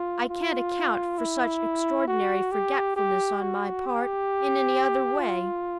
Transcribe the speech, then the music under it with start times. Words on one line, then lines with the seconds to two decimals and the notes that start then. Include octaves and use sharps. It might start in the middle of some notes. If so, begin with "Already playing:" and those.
I can't account for such extraordinary forgetfulness on my part in any other way.
Already playing: F4
0.29 F4
1.18 E4
2.08 F#4
2.52 G4
2.97 G4
3.41 F#4
3.86 G4
5.20 F4